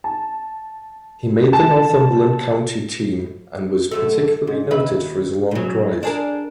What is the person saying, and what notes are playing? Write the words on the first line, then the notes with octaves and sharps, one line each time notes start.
He made the Northumberland county team and was particularly noted for his long drives.
A5
A5
F#2 A3 A4
G#2
D#2 B4 E5
C#3 F#3
D4 G#4 A#4